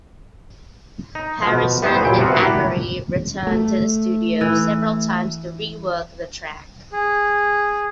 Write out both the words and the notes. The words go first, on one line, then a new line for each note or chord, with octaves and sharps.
Harrison and Amerie returned to the studio several times to rework the track.
D#4
B2 F3
G3 B3 D#4 E4 C5
A#1 A#2 F#3 G3 G5
C3 F3 B3 F4 F#4
A#3 D4 E4 F#4 G4
A3
E3
G#4